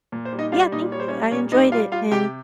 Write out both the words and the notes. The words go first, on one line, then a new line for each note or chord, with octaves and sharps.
Yeah, thank you, I enjoyed it, and
A#2
C5
G3
D#4 D#5
G3 F4 F5
A#2 D#4 D#5
G3 C#5
C5
C#4 C#5
G3
A#2 C#4 C#5
G3 D#4 D#5
G3 F4 F5
G3 F4 F5
C3 G4 G5